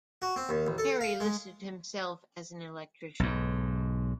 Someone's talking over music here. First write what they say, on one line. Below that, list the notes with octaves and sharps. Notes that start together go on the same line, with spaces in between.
Perry listed himself as an electrician.
F#4
C4
D#2
A1
A4
F5
G#3
B1 G#2